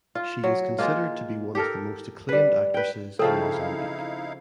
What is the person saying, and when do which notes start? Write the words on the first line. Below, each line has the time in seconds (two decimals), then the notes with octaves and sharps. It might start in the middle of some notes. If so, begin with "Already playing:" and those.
She is considered to be one of the most acclaimed actresses in Mozambique.
0.15 F4
0.44 F#3
0.79 G#3 A#3 F4
1.55 G4 A4 A#4
2.29 G3 B4
2.74 B4 G5
3.19 C#3 F3 C4 D#4 E4 A4 F5